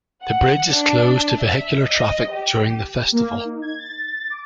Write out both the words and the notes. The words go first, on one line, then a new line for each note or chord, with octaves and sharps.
The bridge is closed to vehicular traffic during the festival.
F#5
D4
E5
D#5
G4
A#3
D#4
G#6
A6
D6